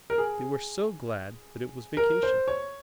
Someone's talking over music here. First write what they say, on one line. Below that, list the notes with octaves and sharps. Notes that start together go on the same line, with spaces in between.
They were so glad that it was vacation!
A#4
G#4
A#4
C5
C#5